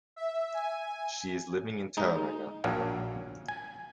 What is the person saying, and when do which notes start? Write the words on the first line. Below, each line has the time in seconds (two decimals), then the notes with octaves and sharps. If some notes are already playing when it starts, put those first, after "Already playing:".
She is living in Tauranga.
0.16 E5
0.54 G#5
1.97 G#3 D#4
2.64 A#1 A#2 F#4 C#5 F5
3.48 G#5